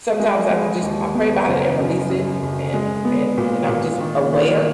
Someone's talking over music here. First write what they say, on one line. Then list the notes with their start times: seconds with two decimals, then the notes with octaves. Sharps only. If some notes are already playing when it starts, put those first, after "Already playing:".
Sometimes I just I pray about it and release it, and and and I'm just aware,
0.20 G#3
0.50 G#3
0.82 D#2
1.15 B3
1.47 F#1
1.78 F#2
2.10 F#2
2.42 F#1
2.74 G#3
3.05 B3
3.38 A#2
3.69 A#2
4.01 D#3
4.33 D#3